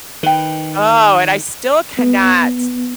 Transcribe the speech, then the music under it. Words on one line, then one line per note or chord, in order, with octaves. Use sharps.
Oh, and I still cannot,
D#3 B4 G5
B3